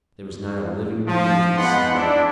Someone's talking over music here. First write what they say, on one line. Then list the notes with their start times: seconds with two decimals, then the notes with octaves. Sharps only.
There was not a living being to be seen.
1.07 F3
1.56 G#2 G#3 B3 F#5 B5 C6
1.95 D4 E4